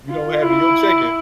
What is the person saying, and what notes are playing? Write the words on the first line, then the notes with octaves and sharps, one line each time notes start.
you don't have in you're checking,
F4
E4